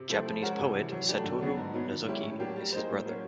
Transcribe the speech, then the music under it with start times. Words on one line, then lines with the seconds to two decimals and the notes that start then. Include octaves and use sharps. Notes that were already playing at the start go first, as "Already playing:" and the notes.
Japanese poet Satoru Nozoki is his brother.
Already playing: C3
0.09 F3 A3 C4 E4
0.26 F3
0.42 G#3 C#4 F#4 A#4
0.59 C3
0.75 E3 G3
0.92 F#3
1.08 A3 D4 G4
1.24 D3
1.41 F#3 B3 D4
1.57 G#2
1.73 D#3 F#3 B3
1.90 D#3
2.06 G#3 C#4 E4 G4
2.22 A2
2.39 F#3 A#3 D4 G4
2.56 G3
2.72 A#3 D#4 G#4 C5
2.89 A2
3.06 F#3 A#3 C#4